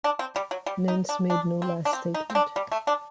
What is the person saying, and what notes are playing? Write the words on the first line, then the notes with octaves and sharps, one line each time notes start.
Nance made no last statement.
D4
C4
G3
F#3
G3
D#4
D4
D4
C4
D4
C4
D#4
C4
D4
G3
A3
D4